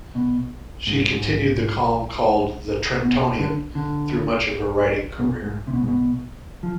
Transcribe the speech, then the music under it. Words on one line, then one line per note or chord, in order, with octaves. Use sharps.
She continued the column, called "The Trentonian", through much of her writing career.
B2
G#2
G#2
B2
D3
D3
B2
G#2
C3
B2
G#2
B2
F3